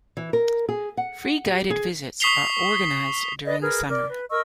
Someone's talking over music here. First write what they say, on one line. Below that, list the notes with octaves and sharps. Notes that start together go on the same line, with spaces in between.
Free guided visits are organised during the summer.
E3
A#4
G#4
F#5
G4
G#4
C#6 D#6 B6 C7 F7 G7
B4 D5 D#5
G#4 A#4 B4
A#4 D5 D6
B4
A#4 D#5 C#6 E6